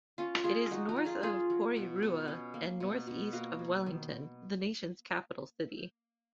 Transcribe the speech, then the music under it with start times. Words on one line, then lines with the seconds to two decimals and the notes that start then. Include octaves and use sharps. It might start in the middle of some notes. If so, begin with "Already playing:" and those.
It is north of Porirua and northeast of Wellington, the nation's capital city.
0.18 C#4 F4
0.44 G#3 F4 G#4
0.71 F3 D#4 F#4
0.89 F#4 A#4
0.96 F3
1.05 F4 G#4
1.23 C#4 F4 G#4
1.50 F#3
1.76 B2
2.03 B2
2.28 C#4
2.54 A#3
2.80 B2
3.07 B2
3.33 A#3 F#4 A#4
3.59 F#3
3.86 D#3